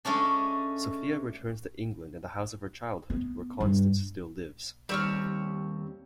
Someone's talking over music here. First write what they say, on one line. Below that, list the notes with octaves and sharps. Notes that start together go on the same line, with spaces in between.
Sophia returns to England and the house of her childhood, where Constance still lives.
G#3 A3 C#4 D4
B3
G2
D#2 G3 C4 C#5 F6